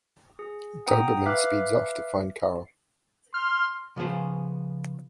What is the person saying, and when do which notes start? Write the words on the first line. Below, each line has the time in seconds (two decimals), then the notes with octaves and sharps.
Doberman speeds off to find Carl.
0.39 G#4
0.87 F#5 G5 A#5 D#6
1.25 B4 E5 F5 D6 F6 F#6
3.34 C6 F6
3.96 C#3 F3 B3 G#4 C5